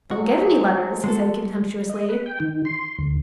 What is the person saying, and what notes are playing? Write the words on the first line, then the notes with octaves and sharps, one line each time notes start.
"Don't get any letters," he said contemptuously.
G#2 F3 F#3 F#4
G#3 F#4 A4
D#5
B4
G5
D#3
C6
D2